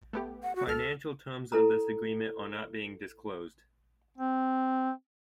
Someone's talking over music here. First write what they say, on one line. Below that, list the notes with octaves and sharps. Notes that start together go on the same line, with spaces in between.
Financial terms of this agreement are not being disclosed.
A3 B3 G4
F#5
F#4
C#2 A4 F6
E4 A4 A#5
C4